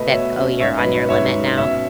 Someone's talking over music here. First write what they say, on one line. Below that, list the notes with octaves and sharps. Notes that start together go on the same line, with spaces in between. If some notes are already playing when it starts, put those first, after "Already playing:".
that, "Oh, you're on your limit now."
Already playing: B2 A3 B3 B4 D#5
B2 C#5 E5
C#4
G#2 C#5 E5
B4 D#5
F#3
C#5
G#2 C#5 E5
C#4
B2 C#5 E5